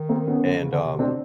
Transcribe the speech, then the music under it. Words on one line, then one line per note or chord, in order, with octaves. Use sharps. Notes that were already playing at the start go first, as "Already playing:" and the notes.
And, um,
Already playing: D#3
A#3 C4
B3 C#4
D3
C#3
D3
C3
B2 C4 D4